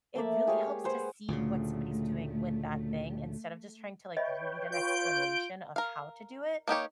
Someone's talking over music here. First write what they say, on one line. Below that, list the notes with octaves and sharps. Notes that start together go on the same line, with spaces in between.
it really helps to see what somebody's doing with that thing instead of just trying to, like, read an explanation of how to do it.
A3 A#3 D5 E5
G#3 G4 C#5 F5
G#4 B4 C5 F#5
D2 A#2 C#3 A3
B4 C#5 D#5 E5 G5 B5
F4 G6 D7
A#4 F5
A#3 D#4 G4 C#5